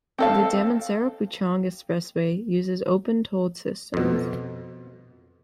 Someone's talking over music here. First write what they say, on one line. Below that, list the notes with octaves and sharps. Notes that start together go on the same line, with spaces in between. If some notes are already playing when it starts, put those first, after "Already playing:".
The Damansara-Puchong Expressway uses opened toll systems.
C4 A4 F5
F2 B2